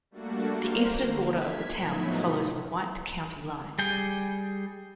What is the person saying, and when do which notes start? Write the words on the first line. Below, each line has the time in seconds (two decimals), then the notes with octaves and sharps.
The eastern border of the town follows the White County line.
0.11 G3 A3 A#3 D4 F#4 A4
0.53 A#3 A#4 C5 F5
0.93 D3
1.26 G#6 B6
1.75 A2 F3 F#3 A3 B3 D#4
2.20 C3 F#3
3.79 G3 G#4 G5